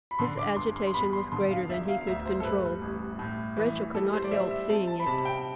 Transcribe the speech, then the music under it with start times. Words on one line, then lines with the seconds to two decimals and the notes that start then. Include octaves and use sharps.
His agitation was greater than he could control. Rachel could not help seeing it.
0.11 B5
0.19 D3 C6
0.38 D6
0.56 G1 C6
0.76 C6
0.87 C6
0.94 E2 B5
1.13 C6
1.32 D3 C6
1.51 F5
1.69 E1 E5
1.88 F5
2.07 D2 E5
2.26 C5
2.40 A4
2.44 G2 B4
2.82 A1
3.19 A2
3.57 E3
3.94 G3 A4
4.13 C5
4.24 D5
4.31 G3 E5
4.51 E5
4.69 C4 A5
4.87 A5
5.00 B5
5.06 C3 A5
5.25 G5